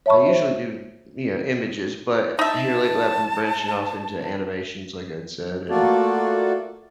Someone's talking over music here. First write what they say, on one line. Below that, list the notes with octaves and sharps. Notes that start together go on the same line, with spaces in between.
I usually do, you know, images, but here lately, I've been branching off into animations, like I'd said, and,
C#5 E5 A5 B5 C#6
C5 E5
D#4 E5 A5
A3 A#3 F4 F#4 A4 D5